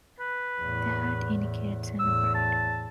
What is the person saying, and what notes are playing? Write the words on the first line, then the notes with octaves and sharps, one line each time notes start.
The "hat" indicates an operator.
B4
E2 A2
E2 A2 E6
A5